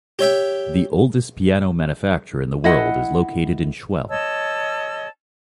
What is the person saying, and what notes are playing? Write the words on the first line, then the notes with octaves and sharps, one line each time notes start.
The oldest piano manufacturer in the world is located in Schwelm.
G4 C#5 E5 G5
E4 D#5 F#5
C#5 D#5 A5 E6